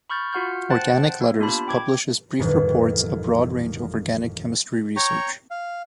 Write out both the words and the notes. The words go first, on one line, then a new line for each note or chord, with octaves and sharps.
Organic Letters publishes brief reports a broad range of organic chemistry research.
B5 C#6 F6 G6 A6
F4 F#4 F#5 F6 G6
C5 F#5 G5 A5 F#6 A6
A#3
B3 D4 F4 G4 A5 B5
G5 D6 G#6
G1 F2 A2 D#3 E3 B4
C#5 G5 A#5 C#6
F5